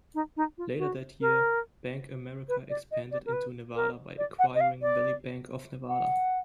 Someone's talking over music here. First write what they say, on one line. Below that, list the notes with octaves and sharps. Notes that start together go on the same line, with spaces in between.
Later that year, BankAmerica expanded into Nevada by acquiring Valley Bank of Nevada.
D#4
D#4
F4
F#4
A#4
B4
D5
D#5
D5
A#4
B4
A#4
D5
F#5
D#5
F5
D5
F#5